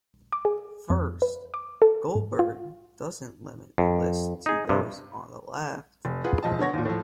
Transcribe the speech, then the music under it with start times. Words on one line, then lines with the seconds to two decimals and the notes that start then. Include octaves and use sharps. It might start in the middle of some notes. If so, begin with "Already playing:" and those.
First, Goldberg doesn't limit the list to those on the Left.
0.32 D6
0.45 G#4
0.90 F2
1.22 B4
1.54 D6
1.82 A4
2.15 G#2
2.39 F4
3.78 F2
4.46 D#4 G#4
4.69 G2 C3
6.05 F1
6.24 F4 G#4 B4 F#5
6.43 E1 F3 D#5 A5
6.59 D3 B3 C#5 A#6
6.73 D#2 A#2
6.85 A2 F3